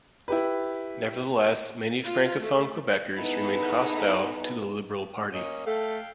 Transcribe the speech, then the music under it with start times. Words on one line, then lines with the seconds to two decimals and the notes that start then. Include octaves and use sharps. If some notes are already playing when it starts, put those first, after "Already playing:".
Nevertheless, many francophone Quebecers remained hostile to the Liberal Party.
0.28 E4 G4 B4
2.05 F4
2.42 A3
3.15 B3 D#4 E4 G#4 A4 B4
5.34 A#3 C#4 D#5
5.66 A3 A4 F5 G5